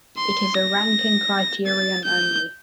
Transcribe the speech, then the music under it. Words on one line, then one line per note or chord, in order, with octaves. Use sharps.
It is a ranking criterion only.
C6
A#6
A6
G6